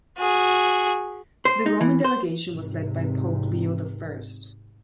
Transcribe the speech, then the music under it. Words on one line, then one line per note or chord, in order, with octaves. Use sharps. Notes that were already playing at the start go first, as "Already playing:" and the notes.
The Roman delegation was led by Pope Leo the First.
F#4 G#4
C5
D#4
E3
C5
G#1 C3